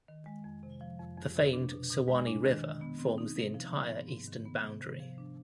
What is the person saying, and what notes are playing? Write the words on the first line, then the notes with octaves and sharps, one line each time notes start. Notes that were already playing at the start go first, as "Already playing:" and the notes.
The famed Suwannee River forms the entire eastern boundary.
D#3
G#3
F2
C3
F3
F2
F2
C3
D4
B2
B2
G#3
D4
D#3
D#3
B3
C4
D#4
C3
F3
B3
G#2
G#2
D#3
B3
C3
C3
F3
D4